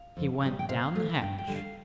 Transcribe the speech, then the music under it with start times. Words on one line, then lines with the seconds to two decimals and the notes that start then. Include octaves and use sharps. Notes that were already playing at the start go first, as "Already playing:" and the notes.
He went down the hatch.
Already playing: F5
0.17 F2
0.43 C3 G3
0.59 G5
0.69 C3 F5
0.95 F3 A3
1.21 G2 G5
1.38 G5
1.47 D3 G3
1.56 F5